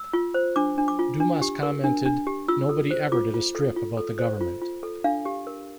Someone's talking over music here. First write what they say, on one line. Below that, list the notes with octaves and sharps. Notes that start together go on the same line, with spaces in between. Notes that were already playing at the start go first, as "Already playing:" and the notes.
Dumas commented, Nobody ever did a strip about the government.
Already playing: E6
F4
C5
D4 D6
D4
D6
F4
D4
G4
A#4
D4
D4
G4
F4 E6
A4
C5
F4 D6
F4
A4
F4
A4
C5
F4
F4
A4
D4 F5
G4
A#4